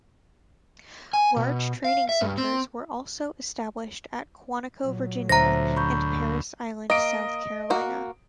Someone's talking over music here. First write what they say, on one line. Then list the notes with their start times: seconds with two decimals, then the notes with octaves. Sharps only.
Large training centers were also established at Quantico, Virginia, and Parris Island, South Carolina.
1.13 G#5
1.36 B2
1.84 F5
2.09 E5
2.21 G2
2.38 C4
4.82 A#2 F#3
5.29 D2 C5 E5 A#5 A#6
5.76 B5 C#6 G6
6.90 A#3 D#5 D7
7.70 A#3 F#4